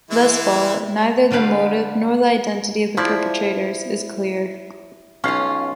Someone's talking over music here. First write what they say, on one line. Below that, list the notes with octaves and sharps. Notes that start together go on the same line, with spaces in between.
Thus far,neither the motive nor identity of the perpetrators is clear.
E3 G#3 E4
D3 G3 G4 B4 F5
F3 E4 D5
B1 C#4 F4 F5